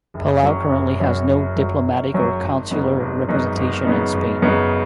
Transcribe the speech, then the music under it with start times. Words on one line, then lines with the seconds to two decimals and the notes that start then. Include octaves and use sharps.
Palau currently has no diplomatic or consular representation in Spain.
0.14 F#1
0.43 F#2 F#3 C#4
0.71 F#1
1.00 F#2 F#3 C#4
1.29 F#1
1.56 F#2 F#3 C#4
1.85 F#1
2.14 F#2 F#3 C#4
2.42 G#1
2.71 F#2 C#3 B3 D#4
3.00 G#1
3.29 F#2 C#3 B3 D#4
3.57 G#1
3.85 F#2 C#3 B3 D#4
4.14 G#1
4.42 F#2 C#3 B3 D#4